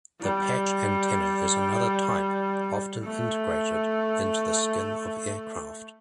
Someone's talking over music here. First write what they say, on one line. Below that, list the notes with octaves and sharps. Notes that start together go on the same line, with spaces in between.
The patch antenna is another type, often integrated into the skin of aircraft.
G3
A3